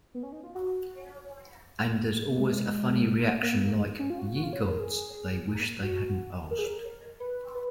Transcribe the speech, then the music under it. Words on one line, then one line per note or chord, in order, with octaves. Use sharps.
And there's always a funny reaction, like 'Ye gods, they wish they hadn't asked.
B3
C#4
D#4
F4
F#4
A#3
G#3
A#3
B3
A#3
G#3
C#4
F4
F#4
F4
F#4
F4
C#5
B4
A#4
G#4
G#4
A#3
F#4
A#4
G#4
A#4
B4
B4